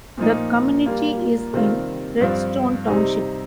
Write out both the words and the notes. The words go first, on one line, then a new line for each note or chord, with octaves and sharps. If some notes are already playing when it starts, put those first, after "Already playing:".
The community is in Redstone Township.
A#2 F3 A#3 D#4
A#2 G3 A#3 F4
C3 D#3 G3 C4 F4
G2 F3 C4 F4
C3 G3 C4 D#4